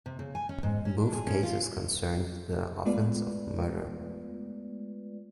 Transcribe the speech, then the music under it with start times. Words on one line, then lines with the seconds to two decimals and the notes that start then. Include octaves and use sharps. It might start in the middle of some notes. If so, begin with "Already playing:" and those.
Both cases concerned the offence of murder.
0.06 C3
0.19 C#3
0.35 G#5
0.49 C#4
0.63 G#2
0.85 C#4
0.98 D4
1.13 G#4
1.27 C#4
1.43 F4
2.86 G#3 A3 B3 F4 B4 D5